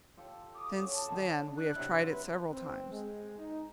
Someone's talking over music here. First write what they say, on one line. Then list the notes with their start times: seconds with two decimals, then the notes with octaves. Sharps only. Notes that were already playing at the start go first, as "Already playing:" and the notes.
Since then we have tried it several times.
0.17 F4 G4 A4
0.55 D6 D#6
0.79 C#4 F4 F#4
0.91 A5
1.08 D3 D#3 G#4
1.41 D4
1.57 F#6
1.75 C3 F#3 E4
1.92 C6
2.06 B4
2.52 C4
2.91 G#3
3.38 D#4